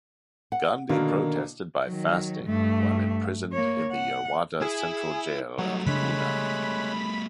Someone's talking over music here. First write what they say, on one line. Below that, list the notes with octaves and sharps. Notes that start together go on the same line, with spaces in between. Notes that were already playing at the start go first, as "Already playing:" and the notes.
Gandhi protested by fasting while imprisoned in the Yerwada Central Jail of Poona.
F#5
B2 D3 D#3 A#3
D#3 F#3
G2 A3
A#3 C#5
F#5
E4 G#4
F#3 G3 A3 D#4 C#5
C#3 F#3 G#3 D4 C#5 B5 F#6